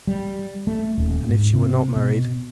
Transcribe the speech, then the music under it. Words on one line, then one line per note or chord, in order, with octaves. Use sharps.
"And if she were not married?"
G3
A3
D#1
G#2
C3
B2